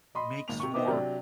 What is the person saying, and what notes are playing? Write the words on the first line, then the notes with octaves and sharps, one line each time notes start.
makes for
D#5 B5 C6
G#1 A#2 F7
C3 C#6
D#3 B3 C5 D#5 E5 D6
C3 F#3 D4